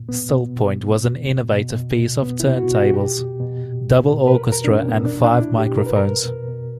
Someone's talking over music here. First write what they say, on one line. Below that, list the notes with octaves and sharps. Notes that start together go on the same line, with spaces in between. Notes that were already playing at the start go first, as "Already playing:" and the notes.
"Still Point" was an innovative piece for turntables, "double orchestra" and five microphones.
Already playing: A#2
B2 B3
B2
B2
B2
B2
B2
B2
B2
B2
B2 B3
E4
B2
F#4
B2
F#4
B2 G4
B2
B2
A#2
A#2
A#2
B4
B2 A#4
A#4
B2
D4
C#4
B2
B3
A#2 D4
D4
A#2
E4
A#2
G4
B2 A#4
B4
B2 A#4
B2
B2